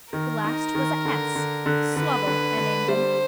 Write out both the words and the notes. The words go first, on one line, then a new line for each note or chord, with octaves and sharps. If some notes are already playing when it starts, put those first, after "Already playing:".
The last was a S,--Swubble, I named him.
D#3 A#4
D#4
D#3
D3
D3
D3
D3 B4
D3
D3
G3 C5